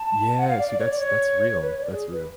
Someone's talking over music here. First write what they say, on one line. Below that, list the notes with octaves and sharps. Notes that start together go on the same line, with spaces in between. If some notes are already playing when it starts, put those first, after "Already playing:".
Yeah, see, that's that's real, that's real.
Already playing: A5
F#5
F5
D5
D5
C#5
D5
C#5
B4
C#5
D5
G#4
B4